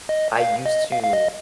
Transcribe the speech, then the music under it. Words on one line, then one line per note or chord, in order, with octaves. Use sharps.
I used to
D#5
F5
D#5
F5
F5
D#5